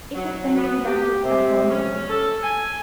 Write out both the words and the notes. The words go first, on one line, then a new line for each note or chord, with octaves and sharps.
It has been conducted abominably.
F#3
B3
G4
C3
C#4
A4
G#5